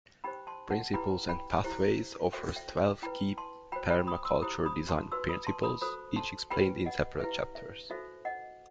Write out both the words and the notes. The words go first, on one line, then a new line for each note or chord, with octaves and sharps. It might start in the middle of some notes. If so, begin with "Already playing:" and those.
"Principles and Pathways" offers twelve key permaculture design principles, each explained in separate chapters.
D#4 G4 C5 G5 B5
A5 C6
F#5 A5
E4 G4 B4 G5 B5
G5 B5
E4 G4 C5
F#4 A4 C5 E5 G5
E5 G5
E4 B4 G5 B5
A5 C6
F#4 C5 G5 B5
G5 B5
B5 D#6
C6 E6
E4 G4 C5 B5 D#6
B5 D#6
A5 C6
D#4 F#4 B4 C6 E6
B5 D#6
A5 C6
B5 D#6
F#4 A4 C5 B5 D#6
A5 C6
D#4 G4 B4 G5 B5
D#5 F#5
E4 G4 B4 E5
E5
D#4 F#4 A4 C5 E5
D#5 F#5